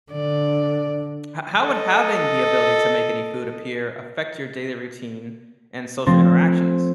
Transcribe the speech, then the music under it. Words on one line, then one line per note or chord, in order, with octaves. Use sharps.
h how would having the ability to make any food appear affect your daily routine and social interactions?
D3 D5
A4 D#5
F3 A3 C4 C5 A6 A#6